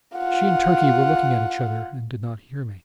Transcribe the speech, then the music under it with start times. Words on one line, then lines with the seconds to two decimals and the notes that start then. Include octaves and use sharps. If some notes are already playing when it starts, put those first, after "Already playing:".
She and Turkey were looking at each other, and did not hear me.
0.17 F4 F#5